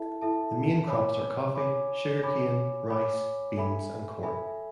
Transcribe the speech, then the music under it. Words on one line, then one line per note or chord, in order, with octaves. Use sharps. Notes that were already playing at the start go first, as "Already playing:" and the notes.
The main crops are coffee, sugarcane, rice, beans, and corn.
Already playing: E4 A4 E5 A5
E4 A4 E5 A5
C#5 G#5 B5 D6
C#5 G#5 B5 D6
C#5 G#5 B5 D6
C#5 G#5 B5 D6
A4 E5 G#5 B5
A4 E5 G#5 B5